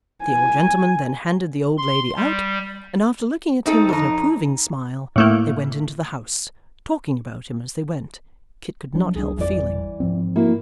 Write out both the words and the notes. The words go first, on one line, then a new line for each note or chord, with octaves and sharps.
The old gentleman then handed the old lady out, and after looking at him with an approving smile, they went into the house--talking about him as they went, Kit could not help feeling.
G#5
C6
G3
C4 D#4 A4
F2 D#4
A2 A3 A#3
F3 F#3 D4
C#2 G3 D4 G#4
G#1 F2 E3 G3 D5
G#2 F3 C4
A#3 E4 F#4